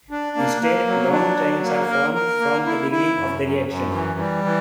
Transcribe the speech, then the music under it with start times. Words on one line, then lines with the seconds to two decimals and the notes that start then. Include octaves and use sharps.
Instead long chains are formed from the beginning of the reaction.
0.11 D4
0.36 A#3
0.62 A#3
0.87 F#3
1.12 D4
1.38 F#3
1.63 A#3
1.90 A#4
2.14 A#4
2.40 A#3
2.66 E4
2.91 E4
3.17 F#2
3.42 F#2
3.68 F#2
3.93 E3
4.19 G3
4.44 E3